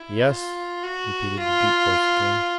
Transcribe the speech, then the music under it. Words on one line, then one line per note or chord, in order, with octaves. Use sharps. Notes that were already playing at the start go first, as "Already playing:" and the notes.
"Yes," repeated the deep voice again.
Already playing: E4
F4
F#4
F4